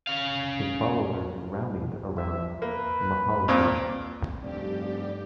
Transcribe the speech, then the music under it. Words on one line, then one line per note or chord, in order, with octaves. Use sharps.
His followers rallied around Mohalhel.
C#4 F5
E5
A#3 B4
G2 A#2 A#3 C4
F1 G2 G4 D5